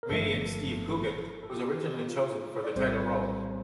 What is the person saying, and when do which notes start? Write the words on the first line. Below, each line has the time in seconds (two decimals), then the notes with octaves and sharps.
Comedian Steve Coogan was originally chosen for the title role.
0.03 A#4
0.09 G1 G2 F3 A3 A4
1.43 A4
1.50 G4
1.57 F4
1.64 G4
2.09 F4
2.64 D5
2.75 A#1 A2 G3 C4 C5